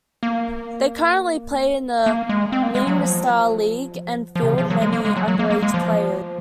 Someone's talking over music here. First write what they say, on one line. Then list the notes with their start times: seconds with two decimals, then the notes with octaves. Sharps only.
They currently play in the leinster league and field many underage players.
0.23 A#3
2.06 A#3
2.29 G#3
2.52 C4
2.63 A#3
2.75 G#3
2.87 F#3
2.98 F3
4.36 F3
4.43 C3
4.47 C#3
4.58 F3
4.70 F#3
4.82 G#3
4.93 A#3
5.05 G#3
5.17 F#3
5.28 F#3
5.39 A#3
5.50 A#3
5.62 G#3
5.74 F3